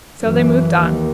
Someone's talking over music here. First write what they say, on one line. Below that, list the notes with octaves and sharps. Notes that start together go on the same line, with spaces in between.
So they moved on.
F#2 E3
D#2